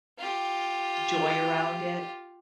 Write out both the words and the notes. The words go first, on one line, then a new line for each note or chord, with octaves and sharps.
joy around it
F4 G4